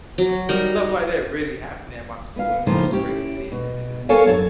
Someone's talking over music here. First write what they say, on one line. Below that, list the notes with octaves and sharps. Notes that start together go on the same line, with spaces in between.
stuff like that really happened at my school, and it was just crazy seeing that day to day.
F#3
G3 D#4 A#4
B3 F5
A2 C#3 F3 A#3 D#4 C5
C#4 E4 G4
B2
B3 A4 A#4 C#5 F5 G#5
F#2 F#3 A4 C#5